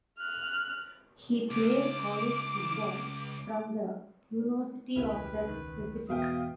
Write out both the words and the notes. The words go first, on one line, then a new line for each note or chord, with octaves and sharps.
He played college football from the University of the Pacific.
F6 F#6
C#2 D6
E1 C#2 C#3 A#3 E4 G4 B4
D#3
E2 G#2 B2 E5 F5 G5 D#6